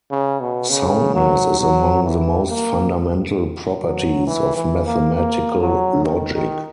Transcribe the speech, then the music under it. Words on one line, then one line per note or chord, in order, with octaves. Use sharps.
Soundness is among the most fundamental properties of mathematical logic.
C#3
B2
C#3
F#3
F#3
E3
A#3
F#3
E3
E3
A#3
A#3
F#3
D#3
D#3